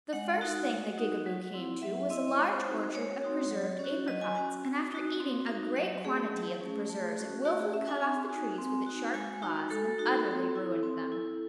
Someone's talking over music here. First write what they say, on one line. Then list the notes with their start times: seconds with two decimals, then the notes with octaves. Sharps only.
The first thing the Gigaboo came to was a large orchard of preserved apricots, and after eating a great quantity of the preserves it wilfully cut off the trees with its sharp claws and utterly ruined them.
0.13 G#3 F#5
0.41 D#4 F#4
0.70 G#3
0.98 D#4 F#4
1.26 F#3
1.54 C4 E4
1.82 F#3 E5
2.10 C4 E4 D#5
2.38 G#3 C#5
2.52 C5
2.66 C4 D#4 F#4
2.81 C5
2.95 G#3 C#5
3.23 C4 D#4 F#4
3.51 F#3
3.79 C#4 F#4
4.07 F#3 D#5
4.21 G#5
4.35 C#4 F#4 G#5
4.64 C4
4.92 D#4 F#4
5.20 C4
5.48 D#4 F#4
5.76 F#3 F#5
6.05 A3 C#4 G#4
6.33 F#3
6.61 A3 C#4
6.89 A3
7.17 C#4 F#4
7.45 A3 F#4
7.59 G#4
7.73 C#4 F#4 E5
7.88 G#5
8.01 C4 G#5
8.30 D#4 F#4
8.58 C4
8.86 D#4 F#4
9.14 G#3 G#5
9.42 D#4 F#4
9.70 G#3 A4
9.98 D#4 F#4
10.27 C4
10.55 E4
10.83 C4
11.12 E4